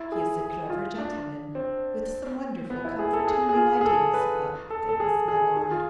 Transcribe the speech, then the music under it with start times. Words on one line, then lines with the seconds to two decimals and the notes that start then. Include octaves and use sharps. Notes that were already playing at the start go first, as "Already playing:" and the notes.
He is a clever gentleman with some wonderful comforting new ideas about things, my lord.
Already playing: E4
0.12 G#4
0.41 G#4
0.70 F4
0.98 D4
1.55 C4
2.70 B3
2.85 E4
2.99 G#4
3.13 A4
3.27 G#4
3.49 G#4
3.56 F4
3.81 G#4
3.85 A4
4.14 B4
4.70 A4
4.89 A4
5.00 G#4
5.28 G#4
5.57 G#4
5.71 F4